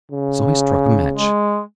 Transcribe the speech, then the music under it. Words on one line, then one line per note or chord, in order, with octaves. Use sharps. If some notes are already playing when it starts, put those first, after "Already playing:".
So he struck a match.
C#3
G#3